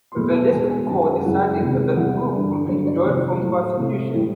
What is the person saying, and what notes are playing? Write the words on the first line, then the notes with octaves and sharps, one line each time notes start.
The district court decided that Brooke would be enjoined from prosecution.
C6
E2 B2 F#3 A3 B5
A5
E2 B2 G#3 G#5
G#5
F#2 D#3 G#3 A5
F#2 C#3 E3 G#3 F#5
E2 C3 D#3 G#3
E2 C3 E3 G3 F#5
G2 D3 G3
G2 D3 F#3 C5
D5
C#5
F2 C3 D#3 C5
A2 F#3 A3
C3 E3 A3
A2 E3 G3